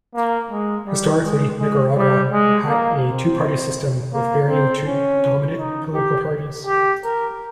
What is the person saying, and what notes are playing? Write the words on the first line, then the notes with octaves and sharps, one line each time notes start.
Historically, Nicaragua had a two-party system, with varying two dominant political parties.
A#3
G#3
G3
G#3
G#3
G3
G#3
A#3
C4
A#3
C4
C#4
D#4
G4
G4
A#4